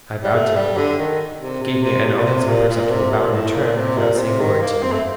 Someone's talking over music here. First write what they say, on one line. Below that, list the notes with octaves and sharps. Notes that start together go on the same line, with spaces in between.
I bowed to him. He gave me an almost imperceptible bow in return, without saying a word to me.
G3
A3
G3
D3
D#3
C3
C3
C3
A2
A#2
C3
A#2
A#2
C3
A#2
A2
A#2
C3
A#2
A#2
C3
D#3
A#3
C4
A3